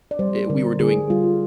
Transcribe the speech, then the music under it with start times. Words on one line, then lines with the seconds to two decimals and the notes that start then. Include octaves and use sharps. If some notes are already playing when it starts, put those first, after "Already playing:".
i we were doing
0.11 D5
0.19 G3 C5
0.50 D3 A#4
0.80 D3 G#4
1.10 G3 F4